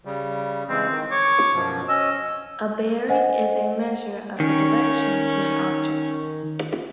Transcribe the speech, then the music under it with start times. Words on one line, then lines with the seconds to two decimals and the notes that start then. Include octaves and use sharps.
A bearing is a measure of the direction to an object.
0.05 C#3 G3
0.69 C#3 E3 G#3 C4
0.91 D#3
1.11 C#5 D6
1.53 F#2 B2 F3
1.89 C#4 D#5 E6
3.08 C5 D#5 F#5 G#5
4.40 D#3 C#4